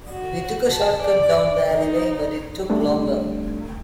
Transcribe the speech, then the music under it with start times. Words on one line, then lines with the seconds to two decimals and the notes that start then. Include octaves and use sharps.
We took a shortcut down the alleyway, but it took longer.
0.11 F#4
0.71 A5
1.03 D5
1.69 D#4
2.70 G3 A3 C4 D4